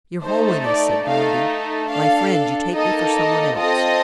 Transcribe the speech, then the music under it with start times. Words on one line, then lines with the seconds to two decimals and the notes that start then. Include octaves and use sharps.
"Your holiness!" said Gondy; "my friend, you take me for some one else."
0.23 A3 D#4 A4 C5
0.64 D5
1.06 A3 D#4 A4 F5
1.90 D4 A4 F5
2.74 A#3 D#4 A4 D#5
3.16 D#5
3.57 C4 F4 A4 D#5